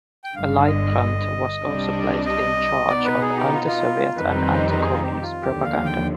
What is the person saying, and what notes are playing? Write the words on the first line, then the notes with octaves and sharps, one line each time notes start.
Leibbrandt was also placed in charge of anti-Soviet and anti-Communist propaganda.
G5
G1 G2 D3 F5
D#5
C2 C3 G3 D4
D#5
B2 B3 D#4 D5
B4
G#4
G4
F4
F4
F2 D#3 G3 C4 D#4 B4
C5
B4
G#4
F4
G4
F4
D#2 D3 F3 G4
F5
G5